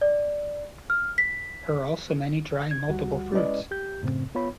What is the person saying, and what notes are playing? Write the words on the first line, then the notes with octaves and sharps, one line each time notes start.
There are also many dry multiple fruits.
D5
F6
B6
G#6
D2 G3 F#4 F#5
G#3 C#4 E4 B4 D5 D#5
G4 G6
F#2 A2 C#3 C4
B3 F4 C#5 B5